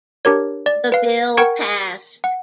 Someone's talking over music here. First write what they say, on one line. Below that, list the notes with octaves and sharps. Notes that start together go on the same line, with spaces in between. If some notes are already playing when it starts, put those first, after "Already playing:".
The bill passed.
D4 G4 A#4 C#5
D5
B4 F5
A#4 F#5 G5 C#6 G#6 C#7
F#5